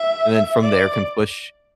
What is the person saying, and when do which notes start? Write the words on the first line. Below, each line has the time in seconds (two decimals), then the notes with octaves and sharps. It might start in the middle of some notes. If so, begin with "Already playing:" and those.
And then from there, can push,
Already playing: E5
0.62 D5